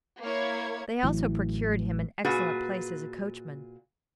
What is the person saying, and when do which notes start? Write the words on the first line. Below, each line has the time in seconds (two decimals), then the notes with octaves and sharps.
They also procured him an excellent place as a coachman.
0.23 A#3 E4 C#5 G#6
1.03 A1 A2 E3 F#3
2.25 A#2 F#4 G#4 B4